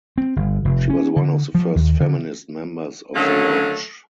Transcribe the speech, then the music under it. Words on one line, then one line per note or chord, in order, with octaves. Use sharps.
She was one of the first feminist members of the lodge.
C4
G1
F1
C#4
D3
F3
D#2
D3
D3 D#3 F#3 A3 A#3 C#4